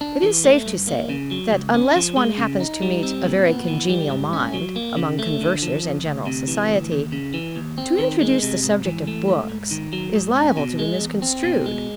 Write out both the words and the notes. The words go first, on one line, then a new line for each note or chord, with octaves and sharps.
It is safe to say that unless one happens to meet a very congenial mind among conversers in general society, to introduce the subject of books is liable to be misconstrued.
D4
E3
A3
G2
A#3
C#3
F#3
C#2
C#4
F3
G#3
C#3
D#4
G3
C4
A#2
B3
E3
G3
G#2
C#4
F#3
A#3
C#3
A3
D3
F3
F2
D2
C3
E3
D2
D#2
C#3
E3
D#2
C4
D#3
G#3
C3
G#2
E3
A3
G#2
G#2
D#3
F#3
G#2
C#4
B2
G#3
E2
C4
B2
G#3